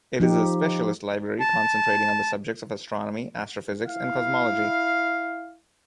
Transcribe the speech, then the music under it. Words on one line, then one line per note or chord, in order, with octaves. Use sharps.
It is a specialist library concentrating on the subjects of astronomy, astrophysics and cosmology.
F3 D#4 G4
A5
E4 F5